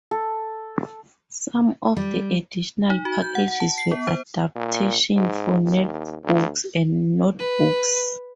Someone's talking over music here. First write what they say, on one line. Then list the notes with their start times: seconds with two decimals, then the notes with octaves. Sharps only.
Some of the additional packages were adaptations for netbooks and notebooks.
0.11 A4
1.97 G3
2.90 D#4
3.05 F#4
3.22 G6
3.35 F#5
3.48 F#5
3.60 A5
3.78 C7
3.91 B3
4.07 C5
4.56 A#2
5.15 G#2
5.64 D#2
6.24 D2
7.39 B4